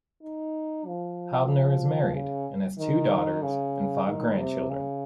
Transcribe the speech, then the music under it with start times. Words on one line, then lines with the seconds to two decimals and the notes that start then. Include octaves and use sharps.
Haubner is married and has two daughters and five grandchildren.
0.23 D#4
0.87 F3
2.14 C#3
2.79 D#3
3.43 C#3
4.06 D#3
4.38 C3
4.70 C#3